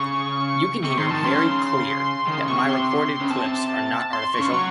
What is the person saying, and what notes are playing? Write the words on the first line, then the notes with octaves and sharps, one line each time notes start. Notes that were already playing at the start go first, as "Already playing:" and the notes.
You can hear very clear that my recorded clips are not artificial.
Already playing: C#3 C#6
C3 C#6
D#3 C6
D#3 A5
C#3 C6
C6
D#3
C#3
C3 C#6
C6
C#3
C3 A5
C6
C#6
C#3
F#3 C#6